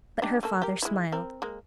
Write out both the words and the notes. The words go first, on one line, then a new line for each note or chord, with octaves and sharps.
But her father smiled.
D4 D#4 G4
A3 A#3 A4
G4 A#4
G#3 E4
C4 A#4
G#3 A#3